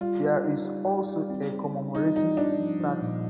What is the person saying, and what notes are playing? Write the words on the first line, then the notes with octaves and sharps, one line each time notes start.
There is also a commemorative statue.
G3 F4
G3
D#4
G3
G3
G3
C4
C4
G3
G3 D#4
G3 D#4
G3 D4
F3
F3
A#2